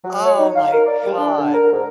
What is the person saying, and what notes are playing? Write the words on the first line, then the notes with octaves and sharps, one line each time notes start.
Oh, my god,
F#3
C#5
D#4
F5
A#4
D5
G3
D4
D3
A#4
G#2